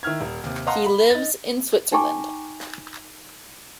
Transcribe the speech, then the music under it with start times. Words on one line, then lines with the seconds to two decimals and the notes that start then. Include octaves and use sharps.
He lives in Switzerland.
0.03 D#3 E4 F6 G#6
0.21 D#1
0.44 D#2 C3
0.67 D#5 F5 F#5 A5 A#5 C6
0.86 B5
1.10 D#4 A6
1.92 D#4 G5 G#5 A#5 C#6 D6